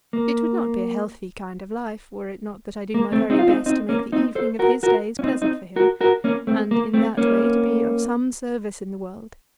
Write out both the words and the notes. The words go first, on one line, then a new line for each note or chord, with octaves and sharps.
It would not be a healthy kind of life were it not that I do my very best to make the evening of his days pleasant for him, and in that way to be of some service in the world.
A#3
A#3
A3 C4
C4 D#4
F4
C4 D#4
C4 D#4
A#3 C#4
C4 D#4
A4 C5
F#4 A#4
F#4 A#4
C#4
C4 D#4
C4 D#4
F#4 A#4
F#4 A#4
A#3 C#4
A3 C4
A#3
A3 C4
A#3 C#4